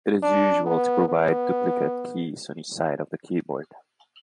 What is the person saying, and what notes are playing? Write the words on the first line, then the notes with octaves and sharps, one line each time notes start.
It is usual to provide duplicate keys on each side of the keyboard.
D4
B3
B3